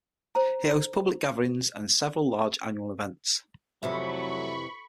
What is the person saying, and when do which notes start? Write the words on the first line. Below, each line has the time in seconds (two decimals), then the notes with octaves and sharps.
It hosts public gatherings, and several large annual events.
0.35 C5 A#5
3.83 F2 C3 E3 F#3 A3 B5 C#6